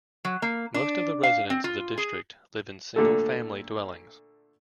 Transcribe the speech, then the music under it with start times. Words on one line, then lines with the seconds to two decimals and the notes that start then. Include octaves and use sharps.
Most of the residents of the District live in single-family dwellings.
0.25 F#3
0.42 A#3
0.74 D4
1.23 F5
1.50 C4
1.64 F4
1.98 G#4
2.96 A#2 D3 A3 A4